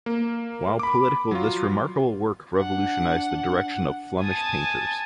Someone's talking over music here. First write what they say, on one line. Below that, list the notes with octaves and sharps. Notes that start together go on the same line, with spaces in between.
While political, this remarkable work revolutionized the direction of Flemish painters.
A#3
B5 D6
F#3 F4
D4 F#5
G#5 A5 D#6